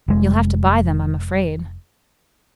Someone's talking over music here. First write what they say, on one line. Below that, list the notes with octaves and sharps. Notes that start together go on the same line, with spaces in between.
"You'll have to buy them, I'm afraid."
F1 G#3